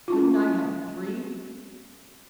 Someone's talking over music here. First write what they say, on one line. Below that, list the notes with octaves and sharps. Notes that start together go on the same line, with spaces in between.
Couldn't I have three?
C#4 E4 F4